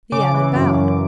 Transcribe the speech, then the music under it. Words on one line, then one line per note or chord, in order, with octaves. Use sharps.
The Abbot bowed.
C#3 D6
E3
F#2
F#2